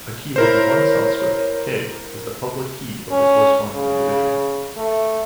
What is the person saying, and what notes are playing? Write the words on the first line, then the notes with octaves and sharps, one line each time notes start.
A key with one subscript, K, is the public key of the corresponding individual.
E4 A#4 C5 C#5
C#4
C#3
A3